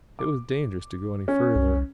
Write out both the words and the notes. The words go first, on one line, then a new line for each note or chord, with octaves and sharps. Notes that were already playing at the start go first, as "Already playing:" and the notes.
It was dangerous to go any further.
D6
C#4
C2